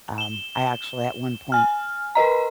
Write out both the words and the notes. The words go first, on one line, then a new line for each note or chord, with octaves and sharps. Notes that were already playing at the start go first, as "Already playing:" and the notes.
um, I actually at one point,
E7 G7
G#5 F6
A#4 B4 D#5 A#5